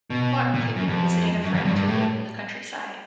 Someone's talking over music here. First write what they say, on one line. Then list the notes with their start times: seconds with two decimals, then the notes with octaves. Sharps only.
Clarke had been visiting a friend who lived in the countryside.
0.10 B2
0.54 A#2
0.76 F#2
0.87 F2
1.44 F#2
1.54 F2
1.65 G2
1.76 G2
1.88 A2